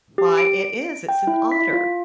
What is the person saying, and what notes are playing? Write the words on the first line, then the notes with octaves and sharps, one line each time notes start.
why it is, it's an otter."
G4
D7
G5
E4
B6
F4